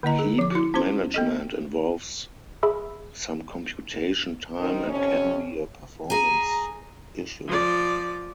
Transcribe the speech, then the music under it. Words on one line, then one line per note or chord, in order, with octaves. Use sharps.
Heap management involves some computation time and can be a performance issue.
D3 A#3 E4 D#5 A#5
G#4 A#4
F3 D6
E4 F#4
C#4 F4 F#4 C5 C6
B3 A4 D#5
G#4 E5 B5 E6
D#3 C4 D#4 A#4
F2 C3 C#4
G#4 G#5 A#5
F3 D5